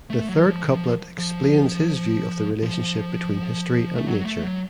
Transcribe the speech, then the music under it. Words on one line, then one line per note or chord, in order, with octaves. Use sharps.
The third couplet explains his view of the relationship between history and nature.
A3
F#3
F3
D#3
F3
F3
F3
A3
F#3
A3
F#3